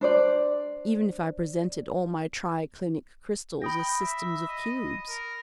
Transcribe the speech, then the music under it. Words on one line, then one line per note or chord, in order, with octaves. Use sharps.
Even if I presented all my tri-clinic crystals as systems of cubes----!
D4 C5 D5
G5 B5 D#6 A#6
E5
D#5
A#4